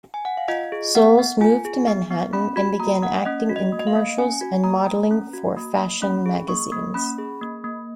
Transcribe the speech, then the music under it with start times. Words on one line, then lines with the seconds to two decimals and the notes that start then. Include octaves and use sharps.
Soles moved to Manhattan and began acting in commercials and modeling for fashion magazines.
0.14 G#5
0.25 F#5
0.37 F5
0.48 F4 D#5
0.72 G#4
0.95 B3 F#5
1.19 B3
1.41 F4 G#5
1.65 G#4
1.87 B3
2.11 B3
2.33 C#4 B5
2.56 F#4 B5
2.80 A#3 A#5
3.02 A#3 F#5
3.25 C#4 D#5
3.49 F#4
3.56 D#5
3.72 A#3
3.79 D#5
3.87 F5
3.95 A#3
4.18 C#4 G#5
4.41 F#4
4.64 A#3 A#5
4.87 A#3
5.11 C#4
5.33 F#4
5.57 A#3
5.79 A#3
6.02 C#4 B5
6.26 G#4
6.48 A#3 C#6
6.72 A#3
6.94 C#4 B5
7.18 G#4
7.41 A#3
7.64 A#3